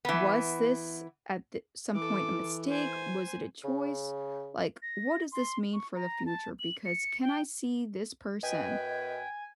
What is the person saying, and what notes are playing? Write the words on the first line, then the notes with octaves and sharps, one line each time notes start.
"was this at th some point, a mistake? Was it a choice?" Like, what does this mean for the future? Because, can I see this person
E3 B3
E3 A4 D6
C5 G#5
C#3
A#6
C6
C#6
A#5
A5
F#7
C#7
G5
F#2 B4 D#5 G5 G#5